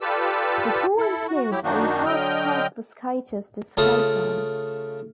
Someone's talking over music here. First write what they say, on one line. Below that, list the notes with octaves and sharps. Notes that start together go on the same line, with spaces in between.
The tour includes a half pipe for skaters to skate on.
F4 G4 A4 B4 D5 E6
E4 A4
F#4
F#3 E4 G4
F#2 D#3 A#3 D4 D#4 F#4
D3 F#3 D#5 G5 F6 G6
C#3 A3 F4 A4 D#6